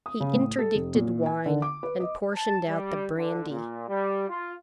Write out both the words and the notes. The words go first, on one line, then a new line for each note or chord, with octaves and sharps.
He interdicted wine, and portioned out the brandy.
D#6
C#3
A2
A4
F1
A#2
G#5
D3
D6
B4
D#5
A5
G3
D3
A#2
G3
F4